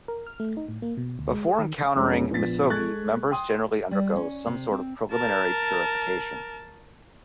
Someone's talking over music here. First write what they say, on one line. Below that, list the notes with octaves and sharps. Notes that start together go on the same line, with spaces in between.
Before encountering misogi, members generally undergo some sort of preliminary purification.
A#4
F6
A3
D#4
A2
A#3
B2
D2
G#3
G#4
D#3
F1 G#3 C#4 A#5
A#1 B3 F4 A6 B6
G#3 A4 C#6 F#6 G#6 A6
G5 C6 D#6
G3
C#4
C3
C4
A#4 A5